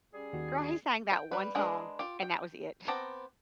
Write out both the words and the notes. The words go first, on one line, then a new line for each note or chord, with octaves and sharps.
Girl, he sang that one song, and that was it.
G3 C#4 G#4
D#2 D#3 F#4
G5
G3 B4
G#3 D4 G#4 A#4 B4
F4 G4
G5
B3 C4 G4 A5 A#5